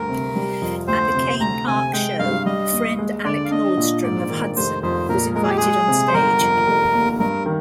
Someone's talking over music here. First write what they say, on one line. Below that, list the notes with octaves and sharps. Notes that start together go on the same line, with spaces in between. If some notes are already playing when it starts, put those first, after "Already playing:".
At the Cain Park show, friend Alec Nordstrom of Hudson was invited onstage.
Already playing: D2 G2 A#4
C3
G3
F2
D2 C5
C3
D2 A#5
C3 G#5
G#3 G5
G2 F5
G3 D#5
D#2
G#3
D3 D5
F5
D4 D#5
A#2
G#2 D5
D#3
F1 C5
F2 C5
A#2 A#4
G#3 A#4
G#4
G4
G#3 G#4
C3
C5
G1 A#4
F2
F1
D#2
G2 A#4
D#3